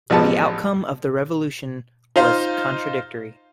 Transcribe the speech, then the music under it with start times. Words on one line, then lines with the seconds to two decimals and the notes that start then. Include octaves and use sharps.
The outcome of the revolution was contradictory.
0.10 A1 F3 G#3 B3 A5
2.16 D#4 F4 C5 F5